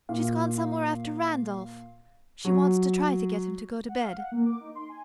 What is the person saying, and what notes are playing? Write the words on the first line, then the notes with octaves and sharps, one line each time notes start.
She's gone somewhere after Randolph; she wants to try to get him to go to bed.
A#2 F5
F#3
F#5
F5
F#5
A#3
D6
D#4
C6
G#5